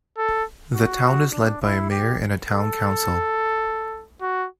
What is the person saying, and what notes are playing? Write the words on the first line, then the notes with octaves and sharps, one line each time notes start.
The town is led by a mayor and a town council.
A4
F#4
D4
E4
G4
A4
F#4